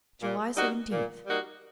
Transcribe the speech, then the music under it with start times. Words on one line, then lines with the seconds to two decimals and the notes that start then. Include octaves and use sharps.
July Seventeenth.
0.22 A#2
0.56 G3 A#3 D#4 F#4
0.92 A#2
1.25 G3 A#3 D#4 F#4